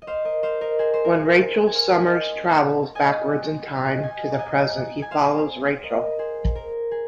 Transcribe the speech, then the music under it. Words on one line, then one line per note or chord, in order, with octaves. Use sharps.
When Rachel Summers travels backwards in time to the present, he follows Rachel.
D#5
C5 F5
A#4 D#5
C5 F5
A#4 D#5
G#4 C5
C5
A#4
G#4
A#4
G#5
C5 F5
D#5 G#5
D#5 G#5
F5
D#5 G#5
D#5 G#5
A#5
D#5 G#5
G#5
C5 F5
A#4 D#5
G#4 C5
A#4
G#4